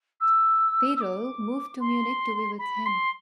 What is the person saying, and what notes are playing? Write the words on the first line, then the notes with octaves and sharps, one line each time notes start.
Perel moved to Munich to be with him.
E6
E6
D6
C6
B5
C6